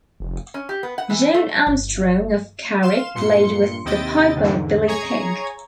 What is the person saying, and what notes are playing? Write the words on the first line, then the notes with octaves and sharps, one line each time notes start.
John Armstrong of Carrick played with the piper Billy Pigg.
F1
C#4
G4
B3
F#5
E3
A3
G1
F5 C6 E7
G2 A#2 C6 C#7
D#2 C3 E4 D#5 G5 A6
E2 G#2 D3
G#4 C#5 A#5 C#6 G#6